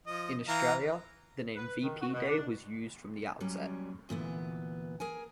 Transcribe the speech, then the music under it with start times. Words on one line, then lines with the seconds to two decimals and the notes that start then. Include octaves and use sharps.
In Australia, the name "V-P Day" was used from the outset.
0.07 F3 D#5
0.48 E3 F5 A#5
1.56 B4
1.81 D#3
2.01 F#4
2.13 B2
2.28 D4
3.40 F#3 G3 C#4
4.09 D2 A#2 E3 B3
5.00 G#4 A#4 G#5